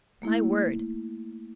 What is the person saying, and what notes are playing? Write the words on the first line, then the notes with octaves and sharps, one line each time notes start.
My word!
A3 A#3 E4